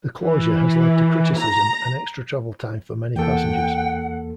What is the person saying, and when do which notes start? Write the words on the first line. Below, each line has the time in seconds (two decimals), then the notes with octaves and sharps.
The closure has led to criticism and extra travel time for many passengers.
0.22 E3
1.37 A#5
3.16 E2 A#3 A4 F#5 G5